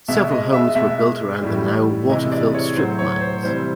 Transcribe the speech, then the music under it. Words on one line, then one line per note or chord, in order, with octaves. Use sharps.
Several homes were built around the now water-filled strip mines.
B2 G#3 E5
D#5
E5
B2 G#3 E5
A2 E3 G3
C3 E3 G#3 D#5
D5
C#5
A2 F#3 C5
C#5
C5
C3 E3 G3 C5